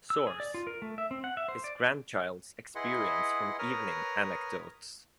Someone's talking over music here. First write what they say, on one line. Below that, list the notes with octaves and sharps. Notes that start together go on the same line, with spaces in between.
Source: His grandchild's experience from evening anecdotes.
E6
G#4
D5
F4
A#4
A3
E5
C4
F#5
E5
C5
D5
E4 G#4 B4 D#5 F#5 C6
A#4 B4 C#5 D#6 F6